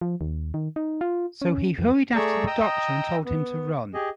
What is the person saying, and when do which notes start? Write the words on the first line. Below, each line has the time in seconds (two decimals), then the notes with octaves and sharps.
So he hurried after the Doctor and told him to run.
0.01 F3
0.21 D#2
0.54 D#3
0.76 D#4
1.01 F4
1.42 C#4
1.79 F2
2.15 A3 G#4 D5 A#5 C#6 E6
2.47 D#5 G5 A#5 D#6 E6
3.25 B3
3.94 G4 G#4 D#5